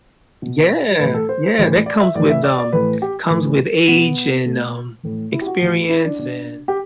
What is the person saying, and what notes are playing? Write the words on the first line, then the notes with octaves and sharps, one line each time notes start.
Yeah, yeah, that comes with, um comes with age and, um, experience and
B2
A2 E3 B4
A4
C5
A2 E3
D5
E5
A2 E3 D5
E5
D5
D5
A2 E3 B4
G4
A2 E3
B2 B3
B2 A3
A2 E3
E4
G4
F#4
A2 E3
E4
D4
B2
G4